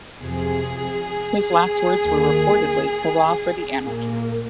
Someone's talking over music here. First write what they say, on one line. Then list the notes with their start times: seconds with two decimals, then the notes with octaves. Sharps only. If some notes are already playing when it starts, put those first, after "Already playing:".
His last words were reportedly Hurrah for anarchy!
0.21 F2 C3 F3 G#4
2.04 D#2 D#3 A#3
3.85 A#2 A#3